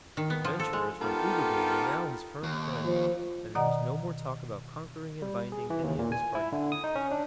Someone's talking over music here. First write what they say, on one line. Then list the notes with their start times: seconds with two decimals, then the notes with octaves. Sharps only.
The adventurers from Oogaboo were now his firm friends, and there was no more talk about conquering and binding any of his party.
0.17 D#3
0.30 B3
0.45 F3
0.60 A4
0.73 G#3
1.01 B3 D#4 F4 G4 A4 A#4
2.43 D#2
2.85 F3
3.55 B2 D#3 D5 D#5 F#5 A#5
5.22 G3
5.52 G#4
5.70 E3
5.83 D#2
5.99 A#2
6.12 G#5
6.35 E4
6.52 D3
6.72 D#6
6.84 D#4
6.95 C#4
7.11 D4